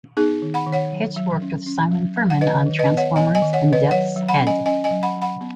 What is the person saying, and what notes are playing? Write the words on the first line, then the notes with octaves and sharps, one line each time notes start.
Hitch worked with Simon Furman on "Transformers" and "Death's Head".
B3 D#4 G#4
D#3
F#5 B5
D#3
C#5 F#5
F#3
F#3
C#4
C#4
F#3
F#3
F#5
D#3 B4 D#5
D#3
B4 D#5
B3
C#5 F#5
B3 D#5 G#5
D#5 G#5
D#3
C#5 F#5
D#3
B4 D#5
F#3 C#5 F#5
F#3
F#5 B5
C#4
D#5 G#5
C#4 D#5 G#5
D#5 G#5
F#3
F#5 B5
F#3
F#5 B5
B3